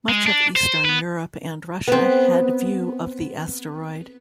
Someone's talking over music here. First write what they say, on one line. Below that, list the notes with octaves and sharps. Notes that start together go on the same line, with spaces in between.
Much of eastern Europe and Russia had view of the asteroid.
G#3
D4
C5
B3 B4
B3 C4